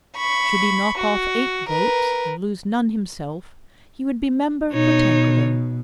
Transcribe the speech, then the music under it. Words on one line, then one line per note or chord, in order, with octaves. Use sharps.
Should he knock off eight votes and lose none himself, he would be member for Tankerville.
B5 C#6
F#4
A#4 B4
B2 D#4 C#5